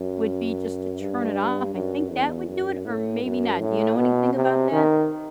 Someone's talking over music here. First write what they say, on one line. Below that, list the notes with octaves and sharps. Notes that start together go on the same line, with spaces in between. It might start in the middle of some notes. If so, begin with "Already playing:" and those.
would be just to turn it off, I think that would do it, or maybe not, do you know anything about that?
Already playing: F#2
G2
F#2
E2
F#2
A2
F#2
A2
B2
C3
D#3